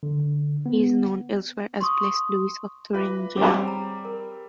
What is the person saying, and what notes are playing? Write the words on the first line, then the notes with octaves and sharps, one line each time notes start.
He is known elsewhere as Blessed Louis of Thuringia.
D3
B3
C6 C#6 D#6
F4 B4 E5 D6
G3 C4 G#4 C#5 D6
B5
A#5
A#4